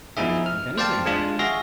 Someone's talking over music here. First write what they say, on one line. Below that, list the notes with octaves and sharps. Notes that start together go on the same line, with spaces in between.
"I don't think anything, my dear."
F3 B3 D#4 E4 G#4 E5
F6
C5 D5 F5 G5 A5
G#3 D4 F4
F#4 G#4 E5 F5 A#6